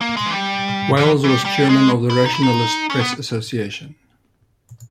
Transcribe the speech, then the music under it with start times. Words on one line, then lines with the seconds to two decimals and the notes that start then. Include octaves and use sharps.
Wells was Chairman of the Rationalist Press Association.
0.01 A#3
0.17 G#3
0.26 E3
0.32 G3
0.97 E3
1.24 E3
1.28 G3
1.45 G3
1.69 G#3
2.10 E4
2.26 D#4
2.35 E4
2.43 D#4
2.90 C#4
3.01 B3